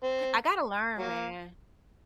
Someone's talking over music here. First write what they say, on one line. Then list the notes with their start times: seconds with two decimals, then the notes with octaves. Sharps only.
I gotta learn, man.
0.03 C4
0.98 F#3 A#3